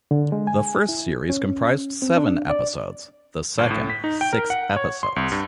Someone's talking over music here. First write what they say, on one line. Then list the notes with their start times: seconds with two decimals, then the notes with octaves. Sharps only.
The first series comprised seven episodes, the second six episodes.
0.11 D3
0.32 G#3
0.47 G#5
0.89 E4
1.30 C#4
2.02 C4
2.17 D4
2.50 D5
3.59 G1
3.71 A2
3.90 B6
4.04 D#4
4.21 G5
4.33 A#4
4.50 F#5
4.76 C#5
5.03 C6
5.16 C2
5.32 G2